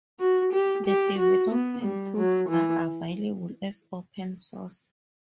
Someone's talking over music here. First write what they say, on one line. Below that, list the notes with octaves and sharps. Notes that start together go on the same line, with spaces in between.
The development tools are available as open source.
F#4
G4
G4
F#4
B3
G3
F#3
E3